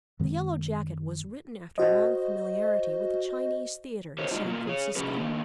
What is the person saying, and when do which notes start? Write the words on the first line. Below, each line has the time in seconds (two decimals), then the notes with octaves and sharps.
The Yellow Jacket was written after long familiarity with the Chinese Theatre in San Francisco.
0.20 F#2 D#3 G#3 C4
1.78 F#4 C5 D#5
4.19 G4 A#4 C5 C#5
4.31 G#3 D4 D#4 F4 F#4
4.44 B2 A#3 F4
4.67 G#4 C#5
4.96 C3 F3 C#4 F#4 G#4 B4
5.17 D3 D#3 A#3